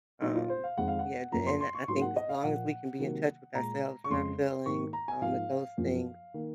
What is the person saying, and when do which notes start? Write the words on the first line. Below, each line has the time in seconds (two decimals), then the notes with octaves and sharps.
Um, yeah, the and the I think as long as we can be in touch with ourselves and our feelings, um, that those things,
0.22 A#2 F#3 A#3 D#4
0.35 F4
0.49 C5
0.64 F5
0.77 F2 D#3 G#3 F#5
0.88 F5
0.99 F#5
1.32 F#2 F3 A#3 A#5
1.47 C6
1.61 C6
1.75 C#6
1.88 G#2 F#3 A#3 C6
2.02 F#5
2.16 D#5
2.29 F5
2.44 A#2 F3 A#3 F#5
2.99 C3 D#3 F#3 A#3
3.55 A#2 G#3 A#5
4.04 C#6
4.10 F2 C#3 G#3 C6
4.65 G#2 D#3 A#3 C#6
4.93 A#5
5.08 G#5
5.22 G#2 F3 A#3 F5
5.77 F#2 F3 A#3
6.34 D#3 A#3